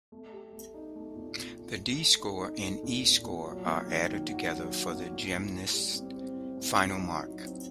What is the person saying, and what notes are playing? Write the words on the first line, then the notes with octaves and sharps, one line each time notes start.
The D-score and E-score are added together for the gymnast's final mark.
A3
G4
A3
D#4
A3
A#2
A#2
A3
A4
A4
D#4
D#4
A4
A#2
A#2
A#2
F#3
A#3
D#3
D#3
F#4
F#3
F#4
A#3
A2
A2
A2
G3
C4
C4
A2
A2
F#3
D#4
F#3
C4